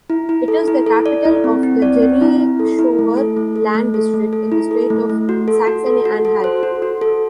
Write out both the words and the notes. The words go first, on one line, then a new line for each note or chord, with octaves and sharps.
It is the capital of the Jerichower Land district in the state of Saxony-Anhalt.
E4
E4
A4
E4
A4
D5
E4
C4
C4
D5
C4
E4
E4
A4
E4
A3
A4
A3
A4
A3
A4
A3
A4
E4
A4
A3
A3
F#4
A4
F#4
A4
F#4
A4
C5
F#4
F#4
A4